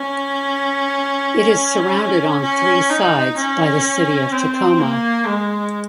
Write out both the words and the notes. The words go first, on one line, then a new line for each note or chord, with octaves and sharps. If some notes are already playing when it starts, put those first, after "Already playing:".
It is surrounded on three sides by the city of Tacoma.
Already playing: C#4
C#4
D#4
C#4
C4
A#3
G#3